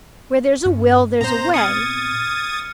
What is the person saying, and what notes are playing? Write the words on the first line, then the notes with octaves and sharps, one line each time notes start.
Where there's a will, there's a way.
G2 C#4
A#2 B3 C4 C5 A#5
D#6 F6 G#6 A6 C#7